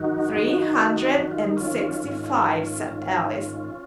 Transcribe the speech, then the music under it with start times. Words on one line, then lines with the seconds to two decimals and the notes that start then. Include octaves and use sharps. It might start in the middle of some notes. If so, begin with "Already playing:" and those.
'Three hundred and sixty-five,' said Alice.
Already playing: F#2 D#3 D#4 F#4
0.34 F#2 D#3
1.19 F#2 D#3 F#4
1.31 F4
1.44 D#4
1.57 C#4 F4
2.04 G#2 D#3
2.89 G#2 D#3